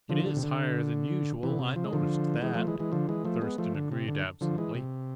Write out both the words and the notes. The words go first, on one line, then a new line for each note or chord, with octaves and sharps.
"It is higher than usual; I noticed that," Thurston agreed absently.
D3 F3
D3
C3
D3
C3 E3
C3
F3
G#3
D3 F3
E3 G#3
F3 A3
E3 G#3
E3 G#3
D3 F3
E3 G#3
F3 A3
G#3 B3
F3 A3
D3
C3
D3
D3 F3
E3 G#3
C3